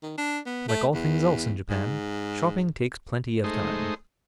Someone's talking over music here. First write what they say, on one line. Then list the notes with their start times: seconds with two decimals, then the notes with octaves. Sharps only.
Like all things else in Japan, shopping takes plenty of time.
0.03 D#3
0.18 D4
0.46 B3
0.68 A3
0.94 E2
1.70 G#2
3.44 G#3 A3 D#4 C5